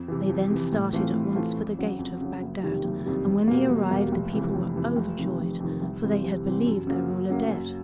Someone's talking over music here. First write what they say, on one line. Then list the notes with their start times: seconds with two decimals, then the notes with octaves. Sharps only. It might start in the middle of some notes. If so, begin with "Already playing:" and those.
They then started at once for the gate of Bagdad; and when they arrived, the people were overjoyed, for they had believed their ruler dead.
Already playing: F2
0.08 C3 E3
0.29 F2
0.51 C3 E3
0.72 A2
0.93 E3 A3 C4 F4
1.14 A2
1.35 E3 A3 C4 F4
1.57 F2
1.79 C#3 F#3
1.99 F2
2.21 C#3 F#3
2.42 F#1
2.63 F2 C3 D#3 G3
2.84 F#1
3.05 F2 C3 D#3 G3
3.26 E1
3.48 E2 B2 G3 A#3
3.69 E1
3.90 E2 B2 G3 A#3
4.12 F1
4.33 F2 C3 E3
4.54 F1
4.76 F2 C3 E3
4.96 F1
5.18 F2 C3 D#3
5.40 F1
5.60 F2 C3 D#3
5.81 C2
6.03 C3 E3 G3 C4
6.24 C2
6.45 C3 E3 G3 C4
6.66 F#2
6.87 C#3 F#3 A#3
7.09 F#2
7.30 C#3 F#3 A#3
7.51 F#2